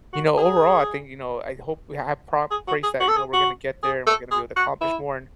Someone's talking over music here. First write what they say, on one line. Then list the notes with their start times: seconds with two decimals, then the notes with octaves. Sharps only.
you know, overall, I think, you know, I hope we have prop praise that, you know, we're gonna get there, and we're gonna be able to accomplish more and
0.13 F#4
0.38 G#4
2.51 G#4
2.68 F#4
2.83 G#4
3.00 F#4
3.08 A4
3.17 G#4
3.33 F#4
3.83 G#4
4.07 A4
4.31 G#4
4.56 F#4
4.81 E4